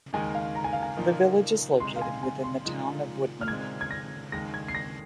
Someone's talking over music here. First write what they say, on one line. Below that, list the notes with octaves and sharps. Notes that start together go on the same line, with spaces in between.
The village is located within the Town of Woodman.
D#2 D#3 G#3 D#4 G#5
F5
A#5
G#5
F5
G#5
A#2 F3 A#3 D#4
C3 G#3 D#4 C6
F5
G#5
G#5
C6
A#2 F3 G#3 D#4
F6
A#2 G#3 C4 D#4 G#6
G#6
A#6
D#2 D#3 G#3 A#6
G#6
C7
A#6